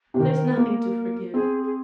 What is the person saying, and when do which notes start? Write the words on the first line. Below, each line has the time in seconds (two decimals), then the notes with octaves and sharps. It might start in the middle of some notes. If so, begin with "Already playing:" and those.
"But there's nothing to forgive."
0.14 C3
0.19 D#3 A#4
0.57 A#3
1.34 C4 G#4
1.63 G#4